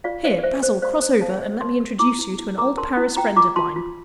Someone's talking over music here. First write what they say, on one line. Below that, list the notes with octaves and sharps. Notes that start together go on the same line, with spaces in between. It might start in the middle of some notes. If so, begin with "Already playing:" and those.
Here, Basil, cross over, and let me introduce you to an old Paris friend of mine.
F4 D5 F5
C5 D5 F5
D5
C5 E5
C5
C5 D5 F5
C5
C5 F5 A5
C5
A#4 A5 C6
A#4
E4 A#5 D6
E4
E4
A#4 A#5 D6
A#4 A5 C6
E4
F4 G5 A#5
F4 A#5 D6
F4 A5 C6
F4